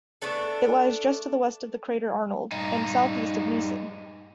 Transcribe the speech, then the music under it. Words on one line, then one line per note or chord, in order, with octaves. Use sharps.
It lies just to the west of the crater Arnold, and southeast of Neison.
A3 B3 D4 A4
G2 D#4